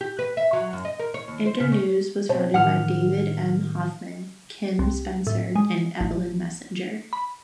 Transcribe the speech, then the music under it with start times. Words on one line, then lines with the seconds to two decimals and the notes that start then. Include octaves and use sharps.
Internews was founded by David M. Hoffman, Kim Spencer, and Evelyn Messinger.
0.01 G4
0.19 B4
0.37 E5
0.53 F#3
0.73 F#2
0.85 D#5
1.00 A#4
1.14 C#5
1.28 D#2
1.46 C5
1.60 C#3
1.72 C#4
2.29 B2 C4 C5 C#5 A5
2.54 A2 D#3 F#5 F6
4.79 C2
5.27 A2
5.56 G#3
6.01 A1
7.13 B5